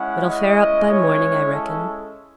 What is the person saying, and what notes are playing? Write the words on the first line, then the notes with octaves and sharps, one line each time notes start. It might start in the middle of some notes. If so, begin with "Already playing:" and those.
It'll fair up by morning, I reckon.
Already playing: G#3 C#4 E4 F#5
D#5
C#5
A4